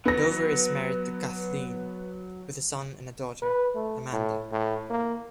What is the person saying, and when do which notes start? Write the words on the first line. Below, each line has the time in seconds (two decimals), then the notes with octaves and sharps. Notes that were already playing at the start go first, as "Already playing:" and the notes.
Dover is married to Kathleen, with a son and a daughter, Amanda.
0.05 F#3 B3 A#6
3.42 B4
3.75 A3
4.12 A2
4.52 A2
4.90 A#3